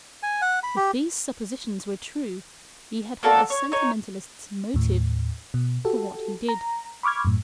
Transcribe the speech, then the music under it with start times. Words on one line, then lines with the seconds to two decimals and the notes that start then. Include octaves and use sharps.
If these suppositions were true, he had had a sentimentalist's motive for what he did.
0.23 G#5
0.42 F#5
0.63 B5
0.76 G4
3.23 A#3 F#4 A4 D5
3.50 C#5
3.72 D#4 C#5
4.74 D#2 A2
5.54 B2
5.85 F#4 G4 A4
6.49 A#5
7.03 B5 C#6 D6 F6 G#6
7.25 F#2 A2